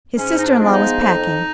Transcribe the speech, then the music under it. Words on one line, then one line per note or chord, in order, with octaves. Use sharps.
His sister-in-law was packing.
G#2 C#4
D#4
D4
F3 G#3 B3
D#4
F2